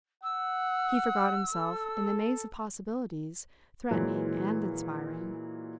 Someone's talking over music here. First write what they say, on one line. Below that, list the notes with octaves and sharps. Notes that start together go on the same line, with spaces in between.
He forgot himself in the maze of possibilities threatening and inspiring.
F#5 E6
A4
A#2 E3 F#3 G#3